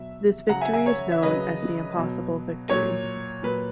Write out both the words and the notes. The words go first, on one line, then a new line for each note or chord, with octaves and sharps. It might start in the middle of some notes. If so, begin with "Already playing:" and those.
This victory is known as "The Impossible Victory".
Already playing: B2 F#3 E5
C#3 F#3 F#5 A#5
E5 G#5
E5 G#5
C#5
E5
C#3 F#3 B4 D#5
B2 F#3
A#2 F#3 C#5
A#2 F#3 B4